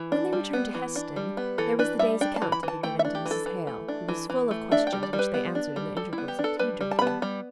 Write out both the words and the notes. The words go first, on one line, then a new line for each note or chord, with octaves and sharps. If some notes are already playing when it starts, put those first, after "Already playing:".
When they returned to Heston, there was the day's account to be given to Mrs. Hale, who was full of questions which they answered in the intervals of tea-drinking.
Already playing: E3
D4
G3
B3
E3
D4
G3
B3
E3 A4
D4 B4
G3 E5
D4 G5
A5
E3
B5
E3 A5
A3 G5
E5
D4
G4
E3
A4
E3
A3
D4
E3
E3
A3
D4 E5
G5
G3
D5
G3
B4
B3
D4
G3
G3 A4
E4
B3
G4
D4
A4
G3 B4
G3
A5
B5
B3
A5
G3